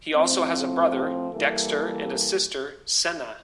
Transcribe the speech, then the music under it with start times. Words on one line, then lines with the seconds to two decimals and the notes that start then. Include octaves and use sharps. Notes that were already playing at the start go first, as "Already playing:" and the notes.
He also has a brother, Dexter and a sister, Senna.
0.14 A2 F3 A3 C4
1.32 E3 G3 A#3 E4 A4